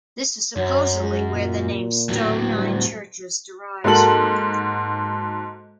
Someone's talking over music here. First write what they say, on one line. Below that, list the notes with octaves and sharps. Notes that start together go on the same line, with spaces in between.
This is supposedly where the name Stowe Nine Churches derives from.
F#2 C#5
G#3
A#2
A2 F#3
G3
G#2 A#3 F#4 A4 F#7